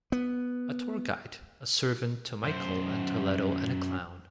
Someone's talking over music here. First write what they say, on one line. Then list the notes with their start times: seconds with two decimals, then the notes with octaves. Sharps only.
A tour guide, a servant to Michael and Toledo and a clown.
0.12 B3
2.44 F#2 C5